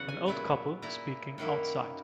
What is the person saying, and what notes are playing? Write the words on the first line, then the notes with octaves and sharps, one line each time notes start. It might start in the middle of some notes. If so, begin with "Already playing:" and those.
An old couple speaking outside.
Already playing: E2 C#3 F#3 F#5
G#5
A#2 F#3 B3 E4
A#2 A#3 E4 A#5
F#2 D#3 A#3 E4